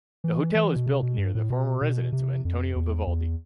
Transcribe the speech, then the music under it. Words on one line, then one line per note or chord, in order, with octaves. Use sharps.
The hotel is built near the former residence of Antonio Vivaldi.
E3
E3
B2
C3
B2
G2
A2
B2
B2
C3
F2
E2
E2